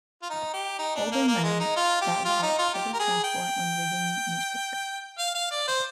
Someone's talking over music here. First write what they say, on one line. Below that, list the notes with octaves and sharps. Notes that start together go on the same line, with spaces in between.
Older men that rides public transport when reading newspaper.
F4
D#4
G4
D#4
D4
A#3
A#3
G#3
D#4
F4
G4
F4
D#4
F4
G4
A#4
G#4
G5
F5
F5
D5
C5